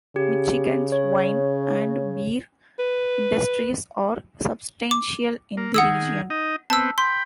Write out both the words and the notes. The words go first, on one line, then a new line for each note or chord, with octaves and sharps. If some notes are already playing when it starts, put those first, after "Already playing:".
Michigan's wine and beer industries are substantial in the region.
C#3 G4
C#5
B4
D6
A#3
D#3 G#4 F#5 D#6 E6
D#4 D#5
B3 C4 A5 E6
G5 B5 C6